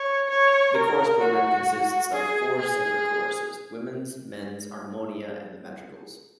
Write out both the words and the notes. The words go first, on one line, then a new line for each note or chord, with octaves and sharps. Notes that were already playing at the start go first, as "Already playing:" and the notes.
The chorus program consists of four separate choruses: Women's, Men's, Armonia, and the Madrigals.
Already playing: C#5
C#5
A#4
F#4
G#4
G#4